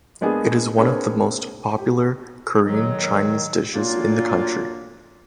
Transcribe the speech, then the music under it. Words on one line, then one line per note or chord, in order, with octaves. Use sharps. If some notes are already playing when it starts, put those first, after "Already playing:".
It is one of the most popular Korean Chinese dishes in the country.
G#3 A#3 B3 D4 G#4
A#3 C4 D4 G#4 B4 C#5
G4
D#3 F#3
A#2 F#3 A#3 D4 F4